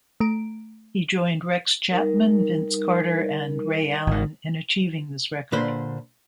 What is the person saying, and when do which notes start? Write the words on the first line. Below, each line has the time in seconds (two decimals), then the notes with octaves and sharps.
He joined Rex Chapman, Vince Carter and Ray Allen in achieving this record.
0.20 A3 A#5 D7
1.91 G3 D#4 A#4
4.07 G#1 D#3
5.52 A#2 D3 B4 C5